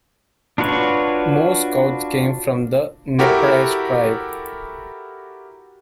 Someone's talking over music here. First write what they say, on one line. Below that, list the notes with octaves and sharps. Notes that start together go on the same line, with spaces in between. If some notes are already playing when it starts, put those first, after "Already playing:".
Most scouts came from the Nez Perce tribe.
D4 F4 F#4 B4 C#5
E4 F#4 G4 A4 A#4